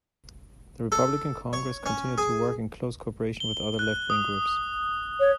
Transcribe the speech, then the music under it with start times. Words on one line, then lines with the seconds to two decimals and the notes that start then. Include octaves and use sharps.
The Republican Congress continued to work in close co-operation with other left-wing groups.
0.92 A4
1.53 C#5
1.86 C#4
2.18 G#4
3.40 G7
3.79 F#6
4.10 D#6
5.20 C#5